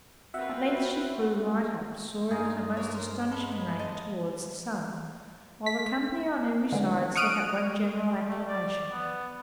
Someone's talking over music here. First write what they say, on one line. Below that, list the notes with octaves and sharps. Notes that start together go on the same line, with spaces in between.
At length she flew right up, soaring at a most astonishing rate towards the sun, while the company on every side set up one general acclamation.
C4 F4 F#4 B4 E5 F#5
G2 D#4 F4 G#4
A#3 C#5
A#4 C5
A4 B4
G#3 B4
G#3 D#5 A5
B6
D3 E3 G#3
C#6 D#6 F6 F#6 D7 D#7
A3
D5
B3